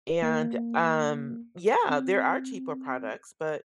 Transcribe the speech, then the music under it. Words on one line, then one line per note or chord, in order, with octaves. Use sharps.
and, um, yeah, there are cheaper products, but
A#3
C4